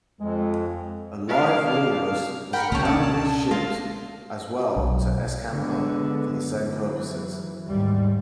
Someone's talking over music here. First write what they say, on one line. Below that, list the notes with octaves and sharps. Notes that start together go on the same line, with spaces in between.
A live walrus was apparently shipped as well to Escanaba for the same purposes.
F2 G#3
D4 F5
A#4 F#5 G5 B5
C#2 B2 A#3 C#4 C#5 A5
C#4 D5
G#3 A#3 F4
B1
D3 G#3 B3
F#2 E3
D#2 G#2 G3